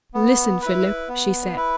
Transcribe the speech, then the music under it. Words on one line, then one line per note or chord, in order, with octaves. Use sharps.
"Listen, Philip," she said.
B3
E4 B4
B3
E4 B4